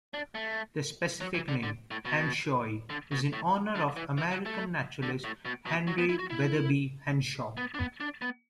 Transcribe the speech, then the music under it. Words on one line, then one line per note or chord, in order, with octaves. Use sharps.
The specific name, "henshawi", is in honor of American naturalist Henry Wetherbee Henshaw.
D4
A3
F#3
E3
D3
D3
A2
B2
D3
B2
A2
D3
E3
E3
F#3
A3
D3
A2
B2
B2
F#3
B3
E4
F#4
E4
B3
D4
B3
D4
B3